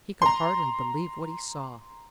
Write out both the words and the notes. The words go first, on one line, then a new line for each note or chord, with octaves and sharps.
He could hardly believe what he saw.
A#5 C6